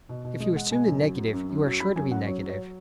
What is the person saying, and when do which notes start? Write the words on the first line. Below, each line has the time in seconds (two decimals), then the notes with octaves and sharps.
If you assume the negative you are sure to be negative.
0.09 B2
0.25 B2
0.40 G#3 D#5
0.56 G#3 F#5
0.71 B2 G#5
0.87 F#2
1.02 F#3
1.18 F#3
1.33 F#2
1.49 F#2
1.65 F#3
1.80 F#3 B5
1.96 F#2 G#5
2.11 F#2 F#5
2.27 F#3 C#5
2.42 F#3
2.50 C#5